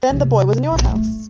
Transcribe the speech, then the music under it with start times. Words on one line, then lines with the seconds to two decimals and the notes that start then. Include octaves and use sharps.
Then the boy was in your house!
0.10 C3 D#4
0.72 A#1
0.88 A3